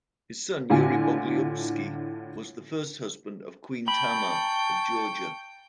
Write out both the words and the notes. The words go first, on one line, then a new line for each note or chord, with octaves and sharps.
His son, Yuri Bogolyubsky, was the first husband of Queen Tamar of Georgia.
A2 D3 F4 G#5
G5 A5 B5 C#6